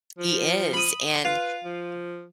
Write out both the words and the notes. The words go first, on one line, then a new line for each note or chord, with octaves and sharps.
He is, and
F3
B5 D#6
F4 B4
F3